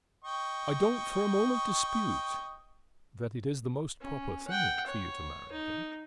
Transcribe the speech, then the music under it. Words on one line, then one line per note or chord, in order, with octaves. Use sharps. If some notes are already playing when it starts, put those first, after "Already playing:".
I don't for a moment dispute that it is the most proper thing for you to marry him.
D#5 G5 C#6
C#4
F#5 G5
C#5
D#4